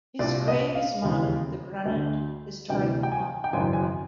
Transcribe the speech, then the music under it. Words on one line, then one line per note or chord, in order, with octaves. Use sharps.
His grave is marked with a granite historical marker.
C2 A#2 D5
D#5
F5
E1 D#2 C#3 E3
D2 D3
D2 C3 E3 G5
G5
G#5
G5
G#1 F#2 C#3 E3 G#5
G#5